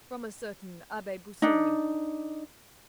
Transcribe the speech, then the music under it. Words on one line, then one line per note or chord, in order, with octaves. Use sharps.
"From a certain Abbe Busoni."
D4 D#4